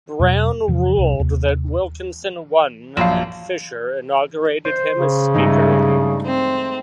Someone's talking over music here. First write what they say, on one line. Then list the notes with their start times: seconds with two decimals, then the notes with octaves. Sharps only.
Brown ruled that Wilkinson won and Fisher inaugurated him as Speaker.
0.19 E2 B2 F#3
0.68 E2 C3 E3 F3
0.98 C2 C3
1.20 D#2 C3
2.97 A#1 F#2 F5 A5 E7
4.65 C5
4.96 C#3
5.34 G2 G#3 A3 D#4
6.25 C4